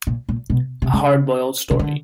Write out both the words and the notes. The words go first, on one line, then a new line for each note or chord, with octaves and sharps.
A Hardboiled Story.
A#2
A#2
B2
C3
C#3
C#3
D3